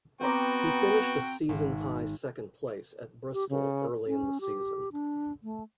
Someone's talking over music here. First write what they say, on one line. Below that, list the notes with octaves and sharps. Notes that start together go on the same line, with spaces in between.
He finished a season-high second-place at Bristol early in the season.
B3 C4 F#4 G5 A#5 D6
G#1
G4
C#3
C#4
G4
D4
A3